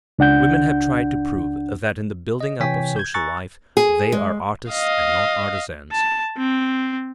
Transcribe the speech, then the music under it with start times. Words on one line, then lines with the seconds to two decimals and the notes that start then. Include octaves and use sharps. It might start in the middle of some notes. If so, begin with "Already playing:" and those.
Women have tried to prove that in the building up of social life they are artists and not artisans.
0.19 C#2 D4 F#5 G6
2.41 D#5
2.60 C3 E3 C#5 G5 G#5 B6
2.96 G6 G#6
3.14 G#5 A#5 C#6 E6 F#6 A6
3.77 G#4
4.12 G#3
4.70 D#5 F5
5.92 A5
6.37 C4